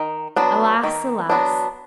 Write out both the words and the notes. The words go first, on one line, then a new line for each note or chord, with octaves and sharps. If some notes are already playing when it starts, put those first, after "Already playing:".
Alas, alas!
Already playing: D#3
F#3 B3 D4
D#3
F#3 B3 D4